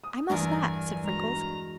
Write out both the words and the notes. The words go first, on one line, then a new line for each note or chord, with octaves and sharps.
"I must not," said Freckles.
D#6
E2 G2 A#4 G#5 C6
G#3 F#4 A#5